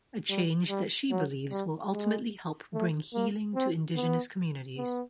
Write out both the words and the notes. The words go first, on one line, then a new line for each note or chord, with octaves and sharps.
A change that she believes will ultimately help bring healing to Indigenous communities.
G3
G3
F#3
G3
G#3
A3
A#3
C4
B3
B3